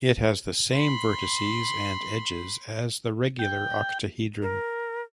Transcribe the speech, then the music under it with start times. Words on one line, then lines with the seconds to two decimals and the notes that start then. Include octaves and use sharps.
It has the same vertices and edges as the regular octahedron.
0.73 B5 C6
3.39 G5
4.42 A#4